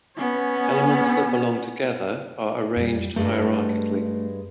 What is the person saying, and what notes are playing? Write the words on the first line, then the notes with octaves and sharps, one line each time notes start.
Elements that belong together are arranged hierarchically.
B3 C#4
F2 G3
G2 G#3 A3 D4